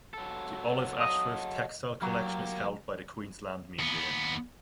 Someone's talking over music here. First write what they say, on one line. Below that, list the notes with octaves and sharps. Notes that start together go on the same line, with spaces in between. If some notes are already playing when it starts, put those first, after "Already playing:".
The Olive Ashworth Textile Collection is held by the Queensland Museum.
F#3 A4
D#5
F#3 A#3 G4
D#2 B3